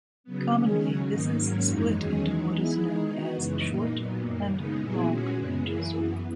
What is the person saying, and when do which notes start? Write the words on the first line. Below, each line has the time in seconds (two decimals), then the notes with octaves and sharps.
Commonly, this is split into what is known as 'short' and 'long' ranges.
0.24 C#3 F#3 B3
0.52 D#3 G#3 C#4 G#4
0.80 C#3 F#3 C#4
1.09 G#2 D#3 A#3 D#4
1.37 G#2 D#3 F#3 A#3 C#4
1.66 F#2 E3 G#3 D#4
1.94 E2 D#3 F#3 C#4 G#4
2.22 E3 G#3 D#4
2.50 E3 B3 E4 G#4
2.79 D#3 G#3 D#4 G#4
3.07 E3 B3 D#4 F#4
3.36 F#2 C#3 E3 G#3
3.64 A#2 A#3 D#4
3.93 A#2 F#3 B3
4.21 F#2 D#3 A#3
4.49 C#3 G#3 B3 D#4
4.78 A#2 F#3 B3 E4 G#4
5.07 A#2 G#3 C#4 F#4
5.35 F#2 C#3 G#3 B3
5.63 F#2 E3 A#3 E4 G#4
5.92 F#2 E3 B3